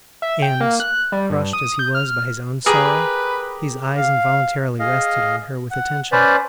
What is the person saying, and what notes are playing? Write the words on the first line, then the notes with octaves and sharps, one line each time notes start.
And, crushed as he was by his own sorrow, his eyes involuntarily rested on her with attention.
E5
G5
A#3
F#6
G3
G2
D#6
G6
F6
G4 G#4 A#4 B4
F5
G#4 D#5 F5
F#5
C#4 B4 C5 D5